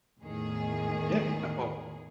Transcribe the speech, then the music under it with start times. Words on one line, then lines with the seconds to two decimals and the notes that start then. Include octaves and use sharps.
Yeah, uh, well,
0.20 E2 A2 D#3 G#4